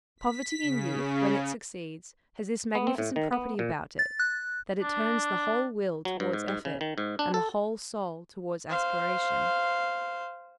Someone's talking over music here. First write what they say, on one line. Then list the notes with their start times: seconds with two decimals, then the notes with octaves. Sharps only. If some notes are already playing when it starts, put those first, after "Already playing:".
Poverty in youth, when it succeeds, has this magnificent property about it, that it turns the whole will towards effort, and the whole soul towards aspiration.
0.18 B6
0.62 C#3
2.75 B3
2.87 C4
2.98 A2
3.16 D#3
3.33 B3
3.59 A#2
3.99 A6
4.20 F#6
4.82 D4
6.05 F#3
6.20 G2
6.33 G#2
6.48 G#2
6.65 C#3
6.81 D#3
6.98 G#2
7.19 D4
7.34 A4
8.70 C5 F5